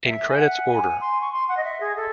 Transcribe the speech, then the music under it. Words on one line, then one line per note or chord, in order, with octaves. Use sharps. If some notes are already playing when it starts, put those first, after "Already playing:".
In credits order.
E5
G#5
F#5
G#5
C6
C#6
C6
F#5
D#5
E5
G#4
A4